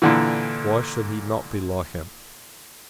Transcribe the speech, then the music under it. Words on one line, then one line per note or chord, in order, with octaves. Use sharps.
Why should he not be like him?
A#2 D3 E3